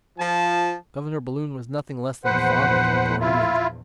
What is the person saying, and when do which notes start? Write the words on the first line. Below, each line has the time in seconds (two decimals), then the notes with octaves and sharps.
Governor Balloon was nothing less than a father to the poor Indians.
0.19 F3 A5
2.25 A#1 E2 B4 C5 F#5
3.20 E4 F4